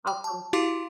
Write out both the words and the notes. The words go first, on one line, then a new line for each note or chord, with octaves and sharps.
I'll come to"
G5
A5
E4 F#4 G4 F5 C6 D6